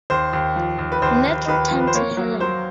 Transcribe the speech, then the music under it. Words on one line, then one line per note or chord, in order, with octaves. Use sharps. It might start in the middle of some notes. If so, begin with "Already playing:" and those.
Nat returned to Helen.
D#2 C5
D#2
F3
D#2
B4
D#2 C5
D#2
D#2 B4
F3
B4
C5
A#3 C#5
F#3
F#3 C5